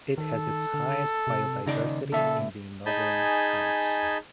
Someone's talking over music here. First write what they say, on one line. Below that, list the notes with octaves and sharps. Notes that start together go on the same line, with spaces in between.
It has its highest biodiversity in the northern Andes.
D#3 A4
D3
C3
D#2 C#3 D#4 D5
A#2 A4 E5
D#4 G#4 G#5 A5 B5 G6